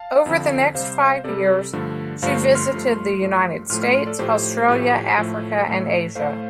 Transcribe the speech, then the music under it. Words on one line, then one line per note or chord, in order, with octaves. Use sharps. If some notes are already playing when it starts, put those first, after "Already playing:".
Over the next five years she visited the United States, Australia, Africa, and Asia.
Already playing: F5 A5
F2 D3 F3
C3 G3 C5 F5
C3 G3 A4 D5
G2 D3 F3 A3
G2 D3 F3 A3 C5 F5
C6 F6
G2 F3 A3
G2 F3 A3
A2 F3 A3 C6 F6
C6 F6
C6 F6
A4 D5
A2 F3 A3 G4 C5
A2 F3 A3 G4
A2 F3 A3 A4
A2 A3
A2 A3 C5 F5